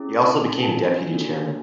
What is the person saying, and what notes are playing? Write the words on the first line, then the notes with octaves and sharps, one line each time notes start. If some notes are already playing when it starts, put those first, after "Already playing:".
He also became deputy chairman.
Already playing: C#4 E4 G#4
G#5
C#4 F4 A4 A5
G#5
A#3 D4 F#4 A4